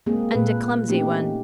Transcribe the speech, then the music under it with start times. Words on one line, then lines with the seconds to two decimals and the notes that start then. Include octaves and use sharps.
And a clumsy one.
0.06 G#3 A#3 C4 G#4
0.32 A#2 A4 B4
0.88 A3 A#3 C4 C#4 D#4 G4